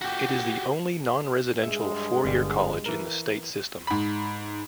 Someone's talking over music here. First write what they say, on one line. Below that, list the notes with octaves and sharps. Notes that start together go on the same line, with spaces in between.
It is the only non-residential four-year college in the state system.
F#4 G4
G2 G#3 E5
G1 G3
E3 A#4
G#2 B5